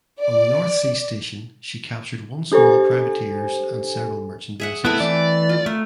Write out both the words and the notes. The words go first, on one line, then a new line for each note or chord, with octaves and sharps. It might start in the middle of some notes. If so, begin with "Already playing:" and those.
On the North Sea station she captured one small privateers and several merchant vessels.
D5
D4 G4 A4 C5 G#5
G#4 E5 F#5
A3 B3 C4 E4 A4
E3 D5
F4
A3 A#4